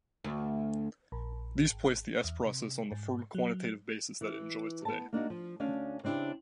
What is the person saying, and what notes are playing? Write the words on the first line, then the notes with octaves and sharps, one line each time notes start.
These placed the s-process on the firm quantitative basis that it enjoys today.
D2
A#1
G#1
E2
C3
G#2
F#3
E3
B3 A5
A#3 D4 D#4 F#4
F3
D2 C#4 D4 D5 F5
C#3 C4 D4 E4 G4